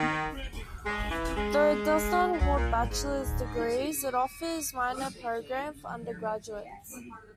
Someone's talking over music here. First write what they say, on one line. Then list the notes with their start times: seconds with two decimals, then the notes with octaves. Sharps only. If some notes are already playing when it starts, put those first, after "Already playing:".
Though it does not award bachelor's degrees, it offers a minor program for undergraduates.
Already playing: D#3
0.85 G#3
1.10 E3
1.36 G#3
2.31 G#3
2.39 F#3
2.55 A#2
2.73 A#2
2.90 G#2